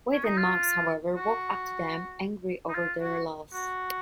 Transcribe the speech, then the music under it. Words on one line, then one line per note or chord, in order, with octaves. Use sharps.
Wade and Max, however, walk up to them, angry over their loss.
C#4
D#4
F4
F#4
D#4
F4
F#4
F#4